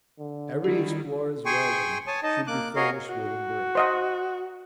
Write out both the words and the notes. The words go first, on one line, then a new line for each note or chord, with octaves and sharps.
Every explorer's wagon should be furnished with a break.
D3
D#3 G3 E4 G4
G#4 G5 G#5 C6 C#6
C#5 G#5 A5 D#6
D#4 D#5 A5
A#3 D6 F#6
F#4 G#4 A#4 C#5 D#5 F5
F#4
C5 D#5 F#5